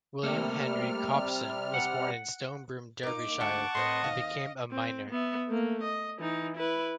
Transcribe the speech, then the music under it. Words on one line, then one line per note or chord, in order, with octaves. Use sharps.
William Henry Copson was born in Stonebroom, Derbyshire, and became a miner.
C3 G3 A3 A#3 A4 F6
F#5
A#3 D#4 D6
D2 A3 F#5 A5 C#6
A2 C4 B4 D#5 C6
D#2 F5
C4
B3 E5
A3 A#3
D#5
E3 D#4
E4 B4